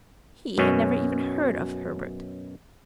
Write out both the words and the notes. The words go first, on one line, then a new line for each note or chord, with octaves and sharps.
He had never even heard of Herbert.
F#2 B2 C#4